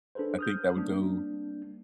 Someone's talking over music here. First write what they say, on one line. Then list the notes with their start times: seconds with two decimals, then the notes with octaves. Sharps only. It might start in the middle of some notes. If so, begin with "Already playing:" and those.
I think that would go
0.15 D4 G#4 A4 B4 C5
0.39 D#6 F6 G6
0.76 G3 A#3 C4 D4